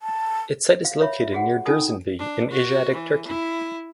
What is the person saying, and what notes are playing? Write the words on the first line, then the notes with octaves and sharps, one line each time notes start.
Its site is located near Dursunbey in Asiatic Turkey.
A5
F5
C#5 E5 B5
E5
F#4 G#4 F#5
C#4 D#4 F4 A4 G#5 D#6
D4
F#4
E3
E4